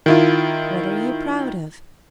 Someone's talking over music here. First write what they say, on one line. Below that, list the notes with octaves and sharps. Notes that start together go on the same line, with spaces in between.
What are you proud of?
D#3 E4 F4